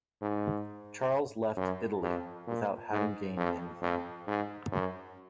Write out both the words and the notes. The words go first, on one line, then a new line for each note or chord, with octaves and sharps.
Charles left Italy, without having gained anything.
G#2
F#2
F2
A#2
G#2
F2
F2
G#2
F#2